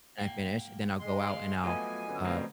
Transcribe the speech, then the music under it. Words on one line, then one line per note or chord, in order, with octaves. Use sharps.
and I finish, then I'll go out and I'll, uh,
G#2 A#3 G5
G#3 C6
D5 F5
F3 F#3 A3 B3 F4 D#5 G#5
D3 B3 C#4
B2 F3 G3 A3 C4 A#4 C5 A#5